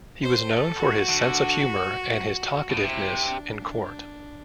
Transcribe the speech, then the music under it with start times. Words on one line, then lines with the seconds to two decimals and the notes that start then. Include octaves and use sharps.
He was known for his sense of humour and his talkativeness in court.
0.22 C5
0.51 A4
0.79 F#4
1.09 D3
2.70 A2
2.77 B2
2.84 C3 E4
3.28 D4